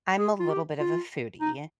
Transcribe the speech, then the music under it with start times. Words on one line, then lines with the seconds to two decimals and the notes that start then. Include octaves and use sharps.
I'm a little bit of a foodie,
0.19 G#4
0.40 F4
0.50 G4
0.80 F4
1.41 D#4